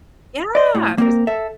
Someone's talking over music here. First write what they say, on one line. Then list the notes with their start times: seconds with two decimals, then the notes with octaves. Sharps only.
Yeah, there's
0.55 D5 D#5
0.75 A2
0.98 A#3 C4 A#4
1.27 A4 E5